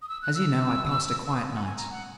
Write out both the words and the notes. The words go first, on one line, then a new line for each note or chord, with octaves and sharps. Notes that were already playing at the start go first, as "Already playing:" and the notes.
As you know, I passed a quiet night.
D#6
E6
F#6
E6
E6
D#6
F#5
G#5
A#5
F#5